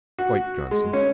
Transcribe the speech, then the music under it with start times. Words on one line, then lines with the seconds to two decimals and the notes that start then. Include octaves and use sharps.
"Quite, Johnson."
0.18 F#4
0.71 G#3
0.93 C#4